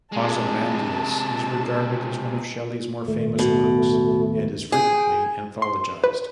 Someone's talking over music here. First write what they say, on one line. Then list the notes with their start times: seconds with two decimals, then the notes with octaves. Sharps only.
"Ozymandias" is regarded as one of Shelley's more famous works and is frequently anthologised.
0.12 C3 G#3 A5
3.08 D#2 A2 A3
3.39 B2
4.72 G#4 G5
5.62 C6
6.04 B4